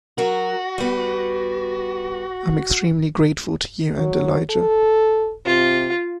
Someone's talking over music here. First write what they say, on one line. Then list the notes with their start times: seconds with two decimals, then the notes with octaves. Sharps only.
I’m extremely grateful to you and Elijah.
0.18 F#3 F#4 A#4
0.78 G3 B3
3.97 F#3
4.50 A4
5.45 C3 F4